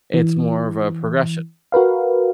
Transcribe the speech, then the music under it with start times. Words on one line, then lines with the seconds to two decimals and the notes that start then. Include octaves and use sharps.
It's more of a progression.
0.14 E3
1.72 F#4 A#4 B4 F5